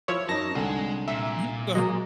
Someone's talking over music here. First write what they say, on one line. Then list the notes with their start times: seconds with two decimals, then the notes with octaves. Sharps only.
Mhm, go ahead.
0.08 F3 E4 C#5
0.29 F#2 D#4 A5 A#6
0.55 C2 D3 G#3
1.08 A#2 E5
1.75 F#3 G#3 A#3 D#5